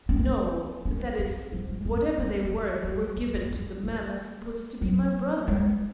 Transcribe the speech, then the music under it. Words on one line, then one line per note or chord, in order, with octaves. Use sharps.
"No,--that is,--whatever they were, they were given to the man I supposed to be my brother."
C#4
C4
C#4
C4
F3
G#3
C4
A#3
A#3
G#3
G#3
F#3
A#3
C#4
A#3
F#3
G#3